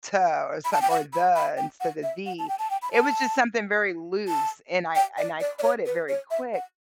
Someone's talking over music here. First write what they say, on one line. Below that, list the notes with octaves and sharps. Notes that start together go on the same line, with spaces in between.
ta or something or, "the," instead of, "the." It was just something very loose, and I I and I caught it very quick,
B5
A5
G5
F#5
B5
B5
G5
F#5
E5
F#5
A5
G5
A5
G5
B5
A5
A5
G5
D5
D5
D5
C#5
B4
C#5
E5
F#5